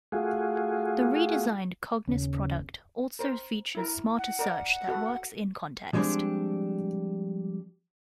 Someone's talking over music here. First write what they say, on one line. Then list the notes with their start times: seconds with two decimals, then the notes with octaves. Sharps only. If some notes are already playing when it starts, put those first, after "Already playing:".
The redesigned Cognos product also features smarter search that works in-context.
0.12 A3 F4 F#4 G#4
2.08 D#2 C#3
3.19 A#4 C5
3.75 E4 A#4
4.18 F#5
4.39 A#4 D5
4.88 F#4 A4 B4
5.93 F3 G3 G#3 C4 D4